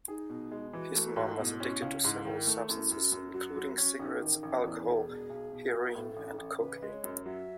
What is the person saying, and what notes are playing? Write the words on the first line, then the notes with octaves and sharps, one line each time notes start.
His mom was addicted to several substances including cigarettes, alcohol, heroin, and cocaine.
D#4 G#4
B2
G#3
E3 F#4
A3
G#2
B2 E4
C#4
C#2
G#2 E4
D#3
A3
F#2 E4
F#2
F#4
F#2
F#3 F#4
F#3
C#4
A1 D#4
D#3
A1
E2 E4
E1
G#4
B2
B1
B2
B1
A2 A4
A1
A1
C#3 B4
G#3
C#5
F#2
F#3 E5